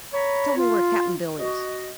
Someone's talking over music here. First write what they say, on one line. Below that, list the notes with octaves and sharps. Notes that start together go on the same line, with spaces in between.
"Tell me where Cap'n Bill is."
C#5 A#5 B5
F4
F#4 D#5